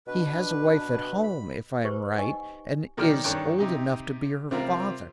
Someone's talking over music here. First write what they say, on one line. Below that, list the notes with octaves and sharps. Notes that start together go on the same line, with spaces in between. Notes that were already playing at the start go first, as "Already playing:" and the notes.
He has a wife at home, if I am right, and is old enough to be her father.
B2 D4 B4
B5
G4 B4 C5 C#6
D#4 G4 D#5 F#5 G#5 C#6
B2 D#3 F#3 D5 G5 F6
G2 D#3 D4 C#5 G5 F#6
C3 D#4 G4
C3 G3 C4 F4 A#4